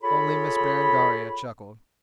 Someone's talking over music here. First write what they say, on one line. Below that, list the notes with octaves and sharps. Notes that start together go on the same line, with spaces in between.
Only Miss Berengaria chuckled.
F4 G#4 A4 C#5 B5